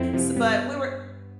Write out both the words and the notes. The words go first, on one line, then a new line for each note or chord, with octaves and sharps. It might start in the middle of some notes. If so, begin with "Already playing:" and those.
s but we were
Already playing: F2 C4 E4
C3 F3
G2 B3